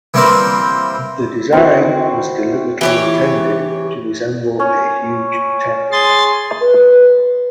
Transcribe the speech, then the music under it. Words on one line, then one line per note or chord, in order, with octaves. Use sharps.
The design was deliberately intended to resemble a huge tent.
E3 G3 A#3 C4 A#4 C5
C4 E4 F#4
E3 G4 C#5
C#4
G#4 C6 A6
B4